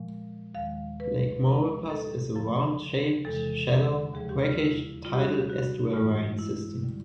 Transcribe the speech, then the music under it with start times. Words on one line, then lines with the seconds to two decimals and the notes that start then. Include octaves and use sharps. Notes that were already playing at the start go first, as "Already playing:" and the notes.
Lake Maurepas is a round-shaped, shallow, brackish tidal estuarine system.
Already playing: A#2 F3 G#3
0.54 D#2 D#3 G#3 F5
1.00 B4
1.45 A#2 F3 G#3
1.90 A4
2.35 F#2 C#3 F3
3.25 E2 C3 E3 G#3 A4
4.14 D#2 C#3 F3 G#3 G#4
4.29 G4
4.44 F4
4.59 E4
5.04 A#2 G3 F4
5.13 G4
5.19 F#4
5.34 G4
5.50 F#4
5.93 G2 E3 G#3 F4
6.39 E4
6.84 D3 G3